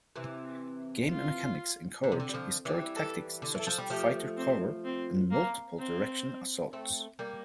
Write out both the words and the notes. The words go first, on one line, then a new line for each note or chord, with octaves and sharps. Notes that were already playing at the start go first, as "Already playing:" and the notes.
Game mechanics encourage historic tactics such as fighter cover and multiple-direction assaults.
C3 E3
F4
D3
C3
D3
G3
D3 F3
E3 G3
A4
D3
E3 A4
F3
G3
F3 A3 G4
C4
C4
A#3
C4
A3 C4
G3 A#3